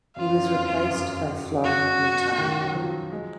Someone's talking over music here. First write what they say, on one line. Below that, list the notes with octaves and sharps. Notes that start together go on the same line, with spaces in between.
He was replaced by Florin Matei.
F#2 F4
F#2
F2
F#2
F#2
F#2
F#2 F#4
B2
D#3
F#3
F3
G#3